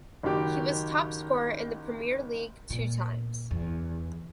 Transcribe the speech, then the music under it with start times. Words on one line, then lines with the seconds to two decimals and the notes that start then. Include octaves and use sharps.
He was top scorer in the Premier League two times.
0.23 F#1 D#3 F#4 G4 D6
2.70 A#2
3.51 E2